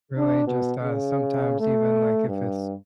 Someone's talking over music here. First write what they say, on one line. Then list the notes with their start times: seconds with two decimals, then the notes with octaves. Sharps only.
really just, uh sometimes even, like, if it's
0.17 D4
0.47 B2
0.81 C#3
1.59 A3
2.28 G2